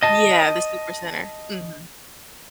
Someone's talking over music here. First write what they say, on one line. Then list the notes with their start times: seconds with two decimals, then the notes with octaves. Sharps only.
Yeah, the Supercenter, mhm.
0.03 D#5 A5